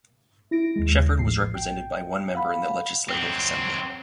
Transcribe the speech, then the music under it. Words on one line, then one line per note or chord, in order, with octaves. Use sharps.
Shefford was represented by one member in the Legislative Assembly.
E4 A#6 D7
D#2 G#3
A#1 A2 C7
G5
F5 F#5 B5
F#3 C4